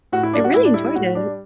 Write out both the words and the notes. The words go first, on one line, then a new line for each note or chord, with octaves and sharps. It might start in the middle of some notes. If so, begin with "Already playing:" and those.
I really enjoyed it.
A2 F#4
E4
G3 D4
F#4
A2 E4
D4
G3 E4
E4
A2 F#4
G3 D4